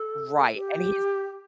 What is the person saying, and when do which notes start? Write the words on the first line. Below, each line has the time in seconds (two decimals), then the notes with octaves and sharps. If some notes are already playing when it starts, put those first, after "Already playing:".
Right, and he's
Already playing: A4
0.55 G4